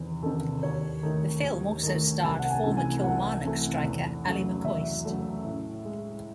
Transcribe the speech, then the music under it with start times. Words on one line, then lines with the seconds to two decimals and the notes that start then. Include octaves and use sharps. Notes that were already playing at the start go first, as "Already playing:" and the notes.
The film also starred former Kilmarnock striker Ally McCoist.
Already playing: E2 C3 D#3
0.23 C3 D#3 A4
0.63 D#2 C#5
1.03 D#3 A3
1.43 D#2
1.83 D#3 A3
2.23 C2 A5
2.39 F#5
2.50 G#5
2.63 C3 E3 A3
2.77 G#5
3.03 C2 F#5
3.44 C3 E3 A3
3.84 E2
4.24 C#3 F#3 A3
4.65 E2 E5
5.05 C#3 F#3 A3
5.44 A2
5.85 G#3